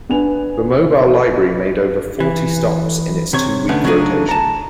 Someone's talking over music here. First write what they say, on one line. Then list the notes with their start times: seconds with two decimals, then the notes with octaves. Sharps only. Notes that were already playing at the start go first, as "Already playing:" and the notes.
The Mobile Library made over forty stops in its two week rotation.
0.09 B3 D4 B4 G#5 F7
2.20 E3
3.33 C3 C#5
3.69 D3 A3 B3 C#4 D4
3.84 C#3 F#3 A3 C4 D4 D#4
4.29 A5 A#5